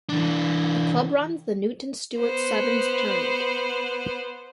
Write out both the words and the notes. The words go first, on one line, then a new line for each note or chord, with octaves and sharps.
The club runs the Newton Stewart Sevens tournament.
E3 D4
B3 C5